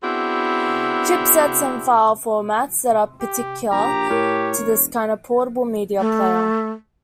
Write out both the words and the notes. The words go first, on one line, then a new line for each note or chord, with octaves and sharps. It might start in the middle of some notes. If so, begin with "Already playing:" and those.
Chipsets and file formats that are particular to this kind of portable media player.
B3 C4 D4 E4 F#4 G#4
G4
A#1 G4 A#5
A2 A#4 C#5
E1
A3